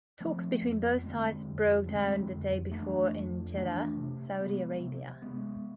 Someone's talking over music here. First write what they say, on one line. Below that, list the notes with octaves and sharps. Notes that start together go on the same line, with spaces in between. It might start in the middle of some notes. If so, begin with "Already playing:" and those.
Talks between both sides broke down the day before in Jeddah, Saudi Arabia.
F3 A3 C4
F2
D3 G#3 C4
F2
D3 G#3 C4
F2
E3 A3 D4
F2
E3 A3 D4
C3
G#3 B3
C3
G#3 B3